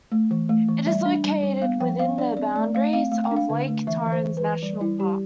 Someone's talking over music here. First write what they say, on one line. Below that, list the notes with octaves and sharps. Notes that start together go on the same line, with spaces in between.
It is located within the boundaries of Lake Torrens National Park.
A3
E3
A3
E3
G3 E5
D4
G3
G3
B3 F5
F3 G5
B3 F5
D4 D5
C4 D5
A3 D5
A3 F5
C4 F5
A3 F5
G5
D4
F5
D3
A3
E3 E5
E3
C5
E3
B4
E3
G3 D5
G3 E4
G3 G4